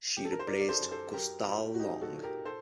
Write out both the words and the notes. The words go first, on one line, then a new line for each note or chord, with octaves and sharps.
She replaced Gustav Lange.
G4
A4
A#4
C5
F#3 A#4 D5
D5
A4 C5
F#2
A4 C5
F#3 G4 A#4
A#2
F#4
F#3 D#4 G4
F#4 A4
A#2
G4 A#4
A4 C5